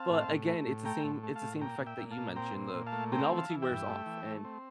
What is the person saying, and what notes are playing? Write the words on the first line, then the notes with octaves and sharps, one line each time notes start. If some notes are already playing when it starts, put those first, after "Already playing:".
But again, it's the same it's the same effect that you mentioned. The the novelty wears off. And
Already playing: C4 F5 A5
A2
A2
A3
A2
A3 G5 A#5
A2
A3
F5 A5
A2
A#2 G5 A#5
A#2
E5 G5
A#2
F5 A5
A#2
C4 G5 A#5
A#2
A#2
F5 A5
A3
C4 G5 A#5
E3
F5 A5
E3
E5 G5
G2
A3
E3
A3
C4